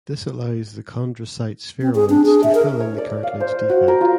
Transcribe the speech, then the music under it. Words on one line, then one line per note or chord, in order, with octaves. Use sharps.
This allows the chondrocyte spheroids to fill in the cartilage defect.
C4
G#4
D4
G#4
E5
A#4
C#5
D5
F5
C5
F#4
A#4
F4